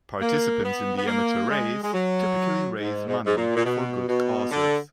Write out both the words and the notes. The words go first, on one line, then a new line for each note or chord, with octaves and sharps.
Participants in the amateur race typically raise money for good causes.
A#3
B3
B3
A#3
G#3
G#3
F#3
G#2
G#2
G#2
A#2
A#2
B2
B2
D3